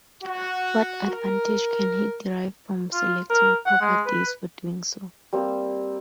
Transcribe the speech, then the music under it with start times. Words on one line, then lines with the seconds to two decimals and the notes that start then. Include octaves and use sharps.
What advantage can he derive from selecting proper days for doing so?
0.24 F#4
1.10 A#4
2.93 F4
3.30 A#4
3.66 F#5
3.81 G#3
4.06 B4
5.33 G3 A#3 C4